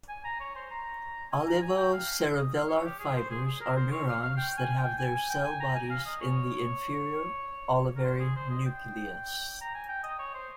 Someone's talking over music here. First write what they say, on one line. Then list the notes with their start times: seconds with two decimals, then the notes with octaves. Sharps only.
Olivocerebellar fibers are neurons that have their cell bodies in the inferior olivary nucleus.
0.09 G#5
0.24 A#5
0.40 C#5
0.56 C5
0.71 A#5
1.32 G#5
1.47 A#5
1.62 G#5
1.78 G5
1.93 F5
2.34 D#5
2.54 F5
2.69 C#5
2.85 G4
2.99 G#4
3.16 C5
3.31 G#4
3.46 G#4
3.61 A#4
3.76 C5
3.92 C#5
4.08 F5
4.22 F5
4.37 G5
4.58 G#5
4.78 G5
4.98 G#5
5.15 G#5
5.29 G5
5.44 G#5
5.60 A#5
5.76 G#5
5.90 F5
6.06 D#5
6.21 C#5
7.96 A#4
8.04 C5
8.20 G#4
8.36 C5
8.51 D#5
8.66 G5
9.61 A#5
9.75 G#5
9.89 G5
10.03 D#5
10.19 C#5
10.34 C5